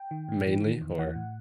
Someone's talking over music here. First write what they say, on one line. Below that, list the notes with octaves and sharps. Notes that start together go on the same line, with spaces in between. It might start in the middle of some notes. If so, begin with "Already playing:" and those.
mainly or
Already playing: G5
D#3
A2
E3
D#3
E2
E3 F#5
A2